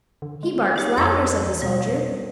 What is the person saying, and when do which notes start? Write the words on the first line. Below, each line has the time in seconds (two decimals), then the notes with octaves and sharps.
"He barks louder," said the soldier.
0.22 D3
0.43 G#3
0.76 D#4 G4 C#5
0.97 F2 C#5 A#5 E6
1.46 E2
1.62 B2 G3